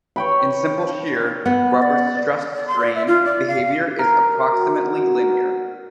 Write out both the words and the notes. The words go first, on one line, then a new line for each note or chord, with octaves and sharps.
In simple shear, rubber's stress-strain behavior is approximately linear.
C#5 G5 B5
B3 F#5
D5
D5
C6
D5
E5
F4
D5
F5
A#4
F#4